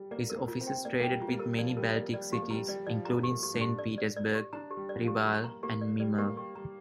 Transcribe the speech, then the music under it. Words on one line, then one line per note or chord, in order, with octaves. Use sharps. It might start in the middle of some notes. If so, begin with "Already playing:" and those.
His offices traded with many Baltic cities, including Saint Petersburg, Reval, and Memel.
Already playing: G3
A#3 D5
A#4
A#3
F4
C4
G5
A#3 D5
A#3 G5
G3
F4
A#3
G3
A#4
F3 D5
G3 A#4
A#3 D5
G3 D5
F3 G4
A#3
G3 A#5
G3 D5
F3 D5
G3 A#5
G4
A#3
G4
D4
G4
D5
D5
D5
G4
D4 A#5
G4
G3
D5
F3
G4
G3 G4
A#3 A#5
A#3 G4
D5
G3 D5
A#3 G4
G3 G4
G3 A#5